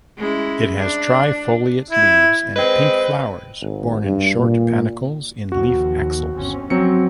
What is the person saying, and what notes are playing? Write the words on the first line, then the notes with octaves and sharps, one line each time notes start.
It has trifoliate leaves and pink flowers borne in short panicles in leaf axils.
G#3 C#4 E4
D4
E4
G#3 C4 B4 D#5
G#1
G2
A#2
D#2 F3 F#4
G1 C4 C#4
F3 F#3 C4 C#7